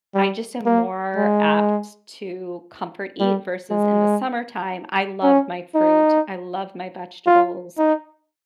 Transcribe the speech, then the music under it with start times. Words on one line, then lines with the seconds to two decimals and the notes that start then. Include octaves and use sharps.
I just am more apt to comfort eat versus in the summertime; I love my fruit, I love my vegetables,
0.15 G3
0.66 A#3
1.16 G#3
3.20 G3
3.70 G#3
5.23 C#4
5.75 D#4
7.26 F4
7.78 D#4